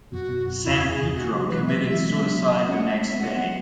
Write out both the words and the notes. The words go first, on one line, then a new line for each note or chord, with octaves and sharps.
Sampedro committed suicide the next day.
F#2 B2 F#4
F#2 B2
F#2
E2 E4
G#4
E2 G#2
G#2 C#3 F#4
G#3
C#3 F#3
B2 E3 B4
C#3 F#3 E5
E3 G#3
F#3 B3
G#3 C#4 F#5
E5
E5
B3
G#3 C#4 F#5
F#3 B3